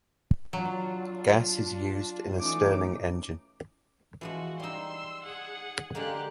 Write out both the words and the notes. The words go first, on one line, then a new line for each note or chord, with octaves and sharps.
Gas is used in a Stirling engine.
F#3 D4 F4
E3 A3 C#4 D#4 D6
E3 F3 G#3 F#4
G3 D#4 C6 E6
G#4 F#5
D3 G#3 A#3 G4 F#6